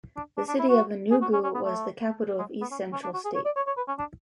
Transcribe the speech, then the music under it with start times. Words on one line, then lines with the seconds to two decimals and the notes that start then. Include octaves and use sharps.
The city of Enugu was the capital of East Central State.
0.16 D4
0.38 D4
0.48 D4
0.59 E4
0.69 F#4
1.11 G#4
1.22 F#4
1.33 C#4
1.44 C#4
1.55 B3
1.64 A3
2.39 G#3
2.61 B3
2.71 C#4
2.92 C#4
3.03 D4
3.14 F#4
3.24 G#4
3.35 C#5
3.45 D5
3.56 C#5
3.67 C#5
3.77 B4
3.88 C#4
3.99 D4